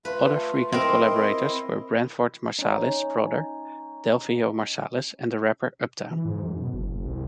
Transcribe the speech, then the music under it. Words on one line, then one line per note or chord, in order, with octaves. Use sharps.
Other frequent collaborators were Branford Marsalis' brother, Delfeayo Marsalis, and the rapper, Uptown.
A3 F4 B4
C4 E4 A#4 D#5 C6
C#4 D#4
E3
G#2
F#2
B2
F#1
C2